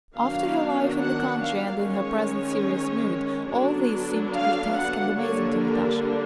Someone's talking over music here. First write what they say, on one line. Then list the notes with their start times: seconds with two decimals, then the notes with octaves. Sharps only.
After her life in the country, and in her present serious mood, all this seemed grotesque and amazing to Natasha.
0.15 D#3 F#3 B3 D4 F5
0.99 F#5
1.41 F5
1.82 D#3 G#3 C#4 C#5
3.50 D3 F#3 B3 D4
4.33 F5
4.75 F#5
5.17 D3 G3 A#3 D4 C#5
5.58 A#4